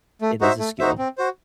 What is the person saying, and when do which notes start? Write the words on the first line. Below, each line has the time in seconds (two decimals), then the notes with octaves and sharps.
It is a skill.
0.21 A3
0.41 D#4 F#4 C5 E5
0.59 A3
0.79 D#4 F#4 C5 E5
0.98 C4
1.18 F#4 C5